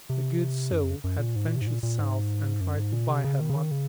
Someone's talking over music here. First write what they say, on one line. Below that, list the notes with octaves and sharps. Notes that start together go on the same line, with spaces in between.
The good soul had ventured South and tried to buy her mother.
C3
F#2
F2
F#2
A#2
G#2
A#2
C3
G#2
A#2
A#2
G#2
F#2
G#2
A#2
C3
C#3
D#3
C#3
D#3
C#3